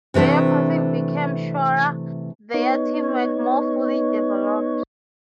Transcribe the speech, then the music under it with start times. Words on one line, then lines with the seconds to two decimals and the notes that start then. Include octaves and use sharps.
Their passing became surer, their teamwork more fully developed.
0.14 C3 E3 A3 C4 D4
2.54 B3 D#4 C#5